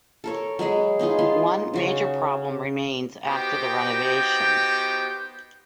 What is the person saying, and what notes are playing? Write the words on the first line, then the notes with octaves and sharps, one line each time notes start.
One major problem remains after the renovation.
A4 A#4 C#5
F#3 G#3 G#4 B4
B3 D#4 F4 G#4
B3 F4 C6
C#3 F#4 C#6
B3 D#4 F#4 G4 C5 G5